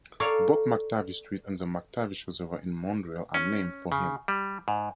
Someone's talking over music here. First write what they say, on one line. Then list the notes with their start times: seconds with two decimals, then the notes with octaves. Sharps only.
Both McTavish Street and the McTavish Reservoir in Montreal are named for him.
0.20 A4 C#5 D5 F5 A#5
3.34 C#4
3.92 C#3
4.28 G3
4.68 G#2